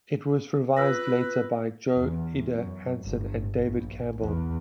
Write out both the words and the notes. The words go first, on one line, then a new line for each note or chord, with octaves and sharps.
It was revised later by Jo-Ida Hansen and David Campbell.
F4 B4 E6 A#6
E2
F#2
G1
A#1
E2